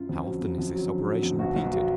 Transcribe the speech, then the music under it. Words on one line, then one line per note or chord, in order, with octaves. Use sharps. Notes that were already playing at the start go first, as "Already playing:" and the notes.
How often is this operation repeated?
Already playing: F#2 F4
F2
F#3
F2
F2
F#3
D3
F#3
F2
B1 F#4
B1
F#3